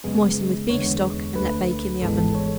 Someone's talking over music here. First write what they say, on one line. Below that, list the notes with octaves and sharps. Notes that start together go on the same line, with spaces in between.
Moisten with beef-stock and let bake in the oven.
F#2 C#3 G#3 B3 G#4
E2 D3 G#3 B3 C#5
D2 D3 A3 B4
G#1 G#2 E3 G#3 B3 A4
A4
C#5